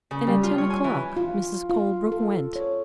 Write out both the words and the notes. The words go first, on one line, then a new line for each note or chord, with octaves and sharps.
And at ten o'clock Mrs. Colebrook went.
C#3
G3
F4
C#5
G#5
E3
F4
F4
A4
C#5